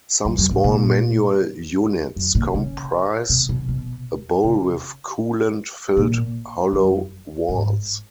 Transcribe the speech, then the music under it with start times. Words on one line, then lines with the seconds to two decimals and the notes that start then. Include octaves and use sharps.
Some small manual units comprise a bowl with coolant filled hollow walls.
0.25 F#2
0.38 F#2
0.51 G#2
0.64 A#2
2.16 F#2
2.35 A#2
2.54 C#3
3.29 B2
3.49 B2
3.68 B2
4.44 C#3
5.97 A#2
6.73 F#2
7.49 G#2